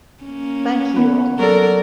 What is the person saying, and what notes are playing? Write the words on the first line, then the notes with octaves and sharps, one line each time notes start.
Thank you.
A#3 C#4
B3
F#3 A4 A#4 D5